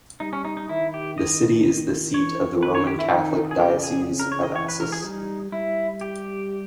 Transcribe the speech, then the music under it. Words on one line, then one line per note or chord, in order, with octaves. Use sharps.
The city is the seat of the Roman Catholic Diocese of Assis.
G3 D#4
C#4
D#4
D#4
D#3 E4
G4
D#5
E3 C#5
D#3 B4
C#5
G4
E4
D#3 D#4
G#4
C#3 G4
G#4
A#4
C#5
D#5
E3 C#5
B4
A#4
G#4
G3 D#4
G3 E4
G4